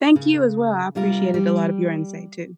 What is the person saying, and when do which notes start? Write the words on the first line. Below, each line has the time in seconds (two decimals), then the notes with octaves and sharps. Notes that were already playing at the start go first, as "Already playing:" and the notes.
Thank you, as well, I appreciated a lot of your insight, too.
0.16 C#3
0.95 C3 G3 F4 A#4
1.34 G3